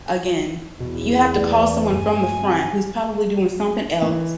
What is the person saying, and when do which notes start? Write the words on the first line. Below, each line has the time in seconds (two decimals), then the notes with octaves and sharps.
again, you have to call someone from the front who's probably doing something else
0.80 E2 B2
1.35 A3 D5
1.92 G2 G#5
2.40 C3
4.02 E3